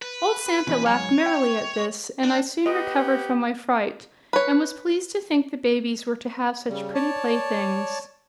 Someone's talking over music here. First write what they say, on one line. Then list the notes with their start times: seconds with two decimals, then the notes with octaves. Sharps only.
Old Santa laughed merrily at this, and I soon recovered from my fright and was pleased to think the babies were to have such pretty playthings.
0.02 B4
0.67 B2 E3 C#4
0.86 G#2 F#3 C#5 G#5
1.26 G5
2.23 D4
2.66 B3 G4 D#5
4.33 B4 C#5
6.68 C#3 G3
6.94 C#5 D5 A5